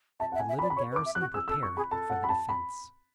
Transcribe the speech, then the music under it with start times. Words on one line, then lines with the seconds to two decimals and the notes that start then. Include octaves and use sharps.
The little garrison prepared for the defence.
0.20 E5 A5
0.32 F#5
0.35 E5
0.39 G#5
0.49 E5
0.59 B5
0.62 D5
0.70 B5
0.77 C#5 C#6
0.92 B4
0.96 D6
1.06 E5
1.15 F#6
1.20 F#4
1.34 G#4 E6
1.48 A4 E6
1.63 C#6
1.77 G#4 B5
1.91 A4 A5
2.10 F#5
2.24 B5
2.29 A5
2.49 B5